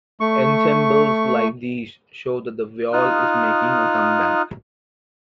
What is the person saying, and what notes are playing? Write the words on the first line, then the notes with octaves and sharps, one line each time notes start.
Ensembles like these show that the viol is making a comeback.
A3 C#6
D#4 F4 D#6 F6 F#6